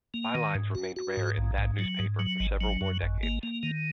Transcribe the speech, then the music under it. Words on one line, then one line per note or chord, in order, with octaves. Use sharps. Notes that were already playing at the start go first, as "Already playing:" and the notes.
Bylines remained rare in that newspaper for several more decades.
A#3
D#3
G#2
F#4
F#4
G#2
A#1
G#2
F#3
G#2
F#3
G#1
F#3
F#2
G#1
A#3
A#3
D#3